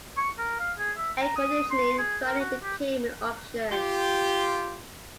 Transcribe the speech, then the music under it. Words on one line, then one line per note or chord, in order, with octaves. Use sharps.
Air conditioning finally became an option.
C#6
A#4
F5
G#4
E5
A#5
D#6
C6
G#4
A#4
F#4
G4
F4 G4